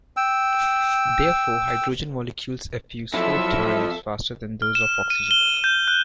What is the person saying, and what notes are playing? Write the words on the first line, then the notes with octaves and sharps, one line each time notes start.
Therefore, hydrogen molecules effuse four times faster than those of oxygen.
G5 E6
F2 F3 F#3 E4 A4 E5
F6
E7
D#7
G7
G6
F#6